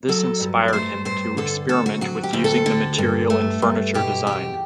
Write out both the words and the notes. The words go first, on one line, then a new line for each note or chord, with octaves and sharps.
This inspired him to experiment with using the material in furniture design.
F#3 A4
G2
D5
A3 C5
G2 C5
D3 A4
D2 A4
F#4
F#3 F#4
G4
D2
A4
D3
G2
A3
G2
B2 G4
E2 G4